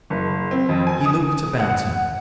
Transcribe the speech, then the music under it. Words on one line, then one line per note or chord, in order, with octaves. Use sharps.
He looked about him.
F#1
C4
F2
G#5
D#6
F#5